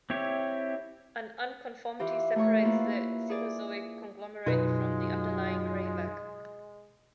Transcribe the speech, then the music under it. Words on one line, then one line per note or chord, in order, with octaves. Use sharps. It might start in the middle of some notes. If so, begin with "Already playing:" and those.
An unconformity separates the Cenozoic conglomerate from the underlying graywacke.
C4 E4 G4 C#5
E3 F4 G4
A3 A#4 C#5 C#6
A#3 E4 F4 B4
G#4 D5
F#2 B2 F#3 G#3 D#4 F4 B4